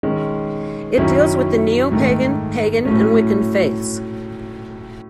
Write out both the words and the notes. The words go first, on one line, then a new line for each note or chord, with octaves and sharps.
It deals with the Neopagan, Pagan, and Wiccan faiths.
D#3 G#3 C#4
F#2 D#3 F#3 C#4 E4
G#2 D#3 A3
A2 F#3 A3 C#4